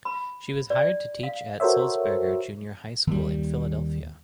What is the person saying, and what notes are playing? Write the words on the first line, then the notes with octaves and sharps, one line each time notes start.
She was hired to teach at Sulzberger Junior High School in Philadelphia.
B5
D5
F5
F#4 A4 A#4 C5 C#5 E5
D#2 G3